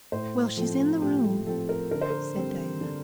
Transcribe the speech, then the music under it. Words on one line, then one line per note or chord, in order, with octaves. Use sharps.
"Well, she's in the room," said Diana.
A2 C5
F3 C4 A4
A2 G4
A4
F3 C4 A4
A#4
D3 A#4
C5
A#4
G3 C4
D3